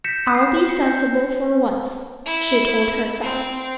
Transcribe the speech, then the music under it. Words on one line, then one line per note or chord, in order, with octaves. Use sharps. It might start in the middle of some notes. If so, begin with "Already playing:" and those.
"I'll be sensible for once," she told herself.
G6 A#6 B6 C#7 E7
C7
C#7
G6
E4
C4